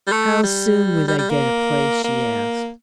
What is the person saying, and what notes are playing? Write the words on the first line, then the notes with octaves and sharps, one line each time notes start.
"How soon would I get a place?" she asked.
G3
A3
G3
G3
G3
A#3
A#3